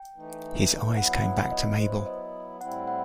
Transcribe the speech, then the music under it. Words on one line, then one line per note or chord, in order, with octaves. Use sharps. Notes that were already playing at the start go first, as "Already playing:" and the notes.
His eyes came back to Mabel.
Already playing: G5
E3 A3 D#4
F#3 B3 E4 F#5
F#5
D#5
F#3 B3 E4 C5
D#5
A2 G3 C4 E4 F#5
F#5